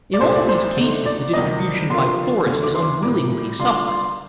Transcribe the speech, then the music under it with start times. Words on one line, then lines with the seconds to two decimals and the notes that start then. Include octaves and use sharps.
In all these cases the distribution by force is unwillingly suffered.
0.13 D5
0.21 C2 A#2 A3 D4 C5
0.35 D5
0.49 C5
0.77 D3 A3 D#4
1.06 D5
1.33 D2 C3 D#3 G3 D4 D#5
1.90 D3 F3 A#3 F4 C6
2.46 D2 D3 A3
2.63 D6
2.75 C6
3.03 A2 G3 A#3 D6
3.59 D3 G3 D4 F4 C6
3.88 C6